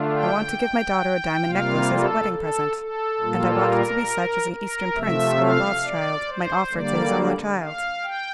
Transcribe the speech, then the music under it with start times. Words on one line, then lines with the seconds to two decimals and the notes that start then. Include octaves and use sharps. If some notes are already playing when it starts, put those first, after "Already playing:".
I want to give my daughter a diamond-necklace as a wedding present, and I want it to be such as an Eastern prince or a Rothschild might offer to his only child.
Already playing: D3 A3 D4 F4
0.13 G5
1.45 C3 G3 A#3 F4 F5
1.89 A4
2.32 A4
2.77 A4
3.21 A#2 G3 A#3 F4
3.65 A#4
4.52 A#4
4.96 C3 F3 A3 E5
5.40 F5
5.84 D5
6.28 C5
6.72 D3 G3 A#3 D5
7.60 F5
8.03 G5